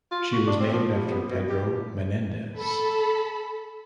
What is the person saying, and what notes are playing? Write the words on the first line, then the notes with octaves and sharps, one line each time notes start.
She was named after Pedro Menendez.
F4
F#4
D4
C4
F3
G3
B3
B2
G4
A4 B5